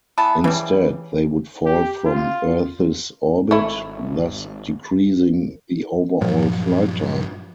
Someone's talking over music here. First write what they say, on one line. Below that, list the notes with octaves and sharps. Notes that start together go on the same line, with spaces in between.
Instead, they would fall from earth's orbit, thus decreasing the overall flight time.
E3 B3 A5
C#3 E3 G3
G4
F4
G#1 A3 E4
G2 A#2 F3 F#3